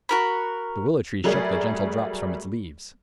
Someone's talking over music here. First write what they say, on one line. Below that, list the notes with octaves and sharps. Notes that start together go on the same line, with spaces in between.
The willow-tree shook the gentle drops from its leaves.
F#4 A#4 B5
F#3 G3 A3 G#4 A#4 D5